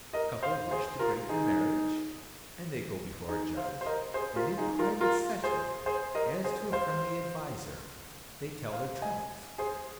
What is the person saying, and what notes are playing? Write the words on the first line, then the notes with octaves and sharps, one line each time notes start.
A couple wish to break their marriage, and they go before a judge, and in private session, as to a friendly adviser, they tell their troubles.
A#4 D#5
C5 F5
G#4 C5
F4 A#4
D#4 G#4
D#4 G#4
C5 F5
C5
A#4 D#5
G#4 C5
F4 A#4
D#4 G#4
F4 A#4
F4 A#4
G#4 C5
G#4 C5
A#4 D#5
G#4 C5
C5 F5
C5 F5
D#5 G#5
G#4 C5